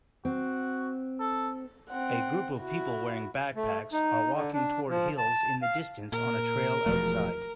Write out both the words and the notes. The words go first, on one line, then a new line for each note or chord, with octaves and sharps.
A group of people wearing backpacks are walking toward hills in the distance on a trail outside.
C4 F#4
A4
C4 F#5
E4 F#4
A3
D#4
D3
D4
F3
A5
F5
A#2 A#4
E1 F3 A3